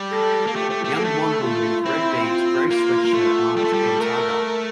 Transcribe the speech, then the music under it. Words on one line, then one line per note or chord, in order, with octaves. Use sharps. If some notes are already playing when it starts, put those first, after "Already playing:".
Young blond woman with red beads, gray sweatshirt marked GONTAGA.
Already playing: G3
A4
A#3
A3 G4
A3
A3
A#3 A4
A3
F4
C4 E4
F4
A#3
A#3
A3
G3 A4
A3
G3
A3 A#4